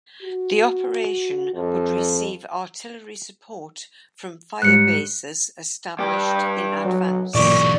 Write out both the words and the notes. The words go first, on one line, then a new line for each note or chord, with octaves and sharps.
The operation would receive artillery support from fire bases established in advance.
F#4
F2
G#2 G3 F#6 C#7
G2 G4
F#3
B1 A#2 E3 D5 C#6